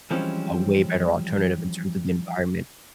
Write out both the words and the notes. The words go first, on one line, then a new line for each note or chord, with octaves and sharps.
a way better alternative in terms of the environment
E3 F3 G3 G#3 C4 C#4